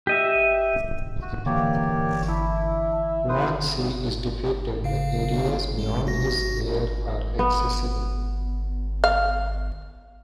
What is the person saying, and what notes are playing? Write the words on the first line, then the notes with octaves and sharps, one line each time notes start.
Once he is defeated, the areas beyond his lair are accessible.
G4 D#5 E5
F#4
D3 E3 A#3 G4 C#5 D5
D4 E4
B4 C5 D#6
C#3 F5
G#3
F#4 A#6
B3
F5